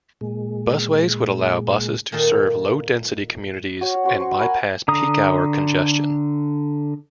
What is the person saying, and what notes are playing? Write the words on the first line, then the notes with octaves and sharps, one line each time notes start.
Busways would allow buses to serve low-density communities and bypass peak hour congestion.
A#2 G#3
A#2 D#3 D#4 F4 A4
F#4 C#5
C#4 F#4 C5
C5 C#6
F#4 A#4 G#5 B5
D3 A#5 D#6